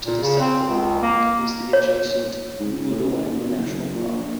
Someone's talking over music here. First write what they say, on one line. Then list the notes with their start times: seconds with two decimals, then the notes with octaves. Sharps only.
To the south of the park is the adjacent Budawang National Park.
0.06 A#2
0.23 C#3
0.40 C4
0.67 C#2
1.02 A#3
1.73 C#5
2.60 G#2
2.72 C#2
2.90 A2
3.04 C#3
3.21 D#2
3.44 B2
3.57 F#1
3.95 A#2
4.13 A#1